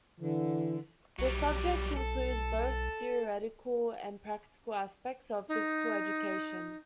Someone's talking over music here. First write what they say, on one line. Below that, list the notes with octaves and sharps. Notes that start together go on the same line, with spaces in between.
This subject includes both theoretical and practical aspects of Physical Education.
D3 E3
B1 F#3 G3
A4
D#4